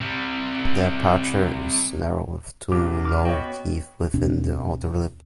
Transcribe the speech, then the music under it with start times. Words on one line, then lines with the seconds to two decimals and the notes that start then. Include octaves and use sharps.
The aperture is narrow with two low teeth within the outer lip.
0.01 C3 G3
2.72 B1 F#2 G4 D6
3.05 D6 F6
3.25 B3 F#4 C#5 D#5 G5
4.14 D#2 B2 C4 D4